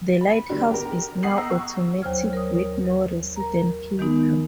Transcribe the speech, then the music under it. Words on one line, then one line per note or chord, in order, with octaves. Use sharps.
The lighthouse is now automatic with no resident keeper.
B5
A2 D3 G3 D4 F#4
G4 A#4
F#5 D#6 C7 F#7
D#5 F#5 G5 A#5 E6
C#6 E6
D#2 F#3 C5 C#5 F6 G#6
A#4 C#5 D#6
A#4 A#5
D#3 G#3 B3 D#4 A#4